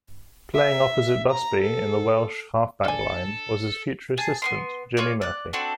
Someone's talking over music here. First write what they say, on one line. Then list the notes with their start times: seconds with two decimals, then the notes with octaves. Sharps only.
Playing opposite Busby in the Welsh half-back line was his future assistant Jimmy Murphy.
0.55 E5
1.30 A#5
1.62 A4
2.85 D4 A4 G#5
4.18 G#4 A5
4.42 B3 C4 C6
4.97 F4 C#5 D5
5.22 D5 F#6
5.53 C4 D4 F#4 A4